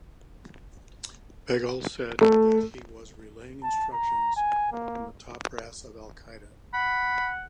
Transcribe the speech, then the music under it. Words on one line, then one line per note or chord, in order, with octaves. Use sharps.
Beghal said that he was relaying instructions from the top brass of Al-Qaida.
A3
A5
A#5
G#5
A#3
F#5 B5